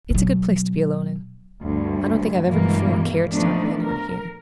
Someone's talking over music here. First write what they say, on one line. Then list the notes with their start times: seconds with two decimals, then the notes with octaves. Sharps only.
"It's a good place to be alone in--I don't think I've ever before cared to talk with any one here."
0.10 B2 F#3
1.62 D2 G2
2.44 G2 B2 E3 G#3 A#3
3.31 A#2 F3 A3 B3 D4 D#4
3.82 A#4